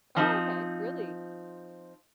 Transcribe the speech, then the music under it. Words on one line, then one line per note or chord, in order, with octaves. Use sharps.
Oh, okay. Really?
F3 C4 D#4